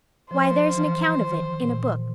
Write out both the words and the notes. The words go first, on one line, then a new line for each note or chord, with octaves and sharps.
"Why, there is an account of it in a book."
F3 C5
E3
D#3
A#2